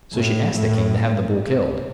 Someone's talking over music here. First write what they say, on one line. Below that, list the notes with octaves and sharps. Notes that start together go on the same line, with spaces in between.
So she asked the king to have the bull killed.
A2
A2